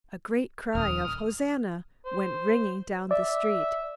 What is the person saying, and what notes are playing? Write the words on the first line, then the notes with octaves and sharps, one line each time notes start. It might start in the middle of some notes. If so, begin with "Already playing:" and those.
A great cry of "Hosanna!" went ringing down the street.
D#1 D#6 F6
C5
D5 E5